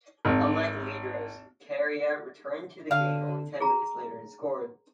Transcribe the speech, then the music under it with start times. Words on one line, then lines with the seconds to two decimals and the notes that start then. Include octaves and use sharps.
Unlike Lindros, Kariya returned to the game only ten minutes later and scored.
0.25 G#1
2.91 D3 F5
3.60 G#4 A#5